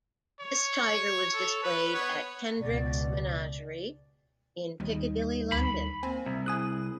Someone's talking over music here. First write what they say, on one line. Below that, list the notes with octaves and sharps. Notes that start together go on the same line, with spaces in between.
This tiger was displayed at Kendrick's menagerie in Piccadilly, London.
C#5
A4
B4
B3 C#5
C#2 B2 D5
D#2 G3 D#4
D2 B5
A#3 C4 G#5
C2 E5 A#5
E4 G#4 G#5 D#6 F#6